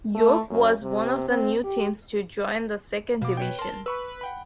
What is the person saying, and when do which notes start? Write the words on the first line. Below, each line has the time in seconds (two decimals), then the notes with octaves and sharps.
York was one of the new teams to join the second division.
0.15 A3
0.50 F#2
0.82 C3
1.28 C4
1.64 G4
3.22 B2 F5 D6
3.37 B4 C#5 G5
3.59 A#4 A5 C6
3.86 B4 B5 C#6 E6
4.21 F#5 G5 B5